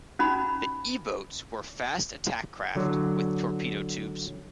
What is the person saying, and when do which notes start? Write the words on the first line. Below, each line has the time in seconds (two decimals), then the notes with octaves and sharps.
The E-boats were fast attack craft with torpedo tubes.
0.19 C#4 D#4 F#4 A#5 B5
2.75 D3 F#3